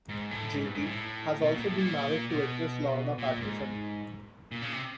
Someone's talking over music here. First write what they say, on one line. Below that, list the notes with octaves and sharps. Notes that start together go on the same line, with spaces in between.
Ginty had also been married to actress Lorna Patterson.
G#2
A2
G#2
G2
G#2
A2
B2
A#2
A2
A#2
B2
A#2
G#2
A#2
C#3
C3